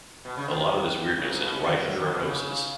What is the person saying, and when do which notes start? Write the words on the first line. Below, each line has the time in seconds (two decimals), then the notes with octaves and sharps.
A lot of this weirdness is right under our noses.
0.25 B2
0.37 C#3
0.49 D#3
1.18 C#3
1.30 G#2
1.41 B2
1.53 C#3
1.64 D#3
1.76 F#3
1.88 F#3
1.99 D#3
2.11 B2
2.22 C#3